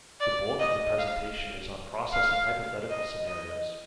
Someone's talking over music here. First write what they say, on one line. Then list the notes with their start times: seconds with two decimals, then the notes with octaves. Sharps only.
The bulk of the presentation is on processing hypothetical scenarios.
0.20 D5
0.59 D#5
0.98 F5
2.13 F5
2.90 D#5
3.28 D#5